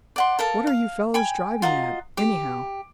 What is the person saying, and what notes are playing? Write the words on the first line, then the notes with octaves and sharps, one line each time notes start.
"What are you fellows driving at, anyhow?"
D5 F#5 C6
A4 A#4 F5 A5
F5
G5 G#5 B5
F4 F#4 D#5 A#5
G4